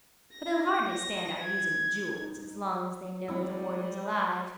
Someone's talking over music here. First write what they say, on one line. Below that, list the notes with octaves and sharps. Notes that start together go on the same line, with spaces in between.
But they'll hardly stand our using the Jewels, as long as they know the Warden's alive.
A#6
A#6
G#6
D#4
A2 G3 G#3 C4 E4 C5 D#5 E6